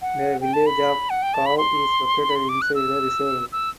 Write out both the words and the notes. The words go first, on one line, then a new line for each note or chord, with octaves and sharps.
The village of Kaw is located inside the reserve.
F#5
G5
A5
B5
F#5
G5
A5
B5
C6
B5
C6
D6
F#6
E6
E6